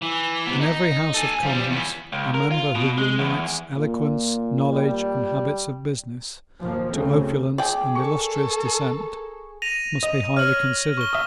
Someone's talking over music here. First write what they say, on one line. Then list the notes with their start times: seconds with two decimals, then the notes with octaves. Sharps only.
In every House of Commons, a member who unites eloquence, knowledge, and habits of business, to opulence and illustrious descent, must be highly considered.
0.02 E3
0.47 C3 B3
0.60 D#4
1.14 A4 G#5
1.43 F3 G3
1.69 E2 B3
2.12 C#2
2.34 A#4
2.51 F4
2.75 B2
2.98 G#3
3.19 E2
3.76 A#2
4.73 G3
6.60 D#2 A#2 F3
6.93 D2 C#3 A3 C4
7.58 G#4 D5 G5
7.95 A4 A#4 C#6
9.62 A#6 D#7 F7
10.03 D#5
10.37 C#5 F6 F#7
10.97 C#6 G7
11.13 E5 D#6